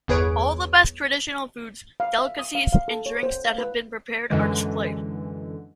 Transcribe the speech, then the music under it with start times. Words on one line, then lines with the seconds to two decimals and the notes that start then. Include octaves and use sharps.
All the best traditional foods, delicacies and drinks that have been prepared are displayed.
0.08 G1 E2 G#4 B4 C#5 D7
2.00 F5
2.18 E5
2.39 D#6
2.55 F5
2.73 F5
2.88 A4
3.06 C#5
3.23 C5
3.45 F5
3.58 B4
4.30 F#2 D3 E3 G#3